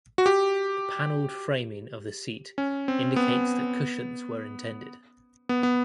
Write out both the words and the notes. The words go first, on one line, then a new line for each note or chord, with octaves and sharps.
The panelled framing of the seat indicates that cushions were intended.
F#4
G4
C#4
C4
B3
B3
B3